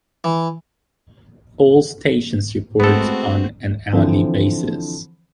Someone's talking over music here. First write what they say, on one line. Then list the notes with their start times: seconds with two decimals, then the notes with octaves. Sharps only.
All stations report on an hourly basis.
0.24 E3
2.80 G#3 A3 B3 C4 F#4 A4
3.93 D3 E3 F3 C4